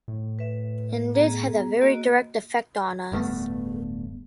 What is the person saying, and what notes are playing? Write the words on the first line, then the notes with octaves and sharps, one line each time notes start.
And this has a very direct effect on us.
A2
B4 E5
B3 G#4 A#5
A#3 F#4 D#5
D1 G2 A3 B3